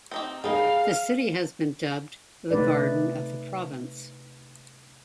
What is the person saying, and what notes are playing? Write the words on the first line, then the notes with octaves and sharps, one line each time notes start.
The city has been dubbed "The Garden of the Province".
C4 D#4 G4
G3 D#4 G#4 A#4 F5
C3 A3 D#4 B4 D5